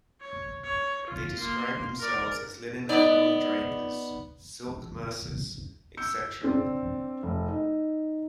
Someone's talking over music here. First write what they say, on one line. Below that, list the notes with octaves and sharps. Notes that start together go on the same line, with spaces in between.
They described themselves as 'Linen and Woollen Drapers, Silk Mercers etc..'.
C#5
C#5
F4
A#3 C6
A#4 D5
B3 D#4 D5
E6 G6 C#7
C4 D4
F1
D#4